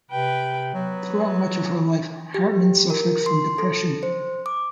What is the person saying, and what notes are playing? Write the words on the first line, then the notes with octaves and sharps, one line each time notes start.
Throughout much of her life, Hartman suffered from depression.
C3 B4 G5
F#3 B3
G4
A#4
C6
A4
C5
D6